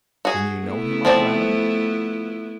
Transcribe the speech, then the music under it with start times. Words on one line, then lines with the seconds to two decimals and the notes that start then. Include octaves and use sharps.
Then you know him, Uncle Adam?
0.25 F#4 G#4
0.65 A3 B3 E4
1.05 F3 C4 D5